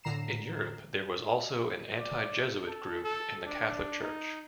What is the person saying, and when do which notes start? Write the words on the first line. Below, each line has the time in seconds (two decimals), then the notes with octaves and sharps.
In Europe there was also an anti-Jesuit group in the Catholic Church.
0.04 A2 D3 A#5 C7 E7
1.99 D5
2.68 A4
3.04 A4
3.46 D4
4.02 D#4